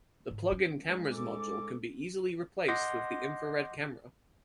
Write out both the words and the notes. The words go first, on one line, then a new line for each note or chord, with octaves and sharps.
The plug-in cameras module can be easily replaced with the infrared camera.
G#2 D#3
G3 C#4
G#2
A4 D6
D#5 F#5 C6 D6 G6 A#6